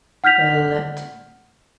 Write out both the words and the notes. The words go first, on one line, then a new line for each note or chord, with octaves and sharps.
Bell et.
F#5 F6 G6 B6 F7